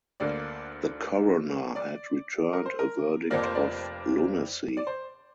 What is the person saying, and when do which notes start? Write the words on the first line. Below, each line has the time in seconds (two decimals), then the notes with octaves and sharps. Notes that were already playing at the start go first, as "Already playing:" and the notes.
The coroner had returned a verdict of lunacy.
0.20 D2 D3 A#3 D5
1.75 D5
2.53 A#4
2.66 C5
2.79 A#4
3.30 F1 F2 F3 A#3 D5
3.43 C5
3.55 D5
4.77 D5
4.87 C5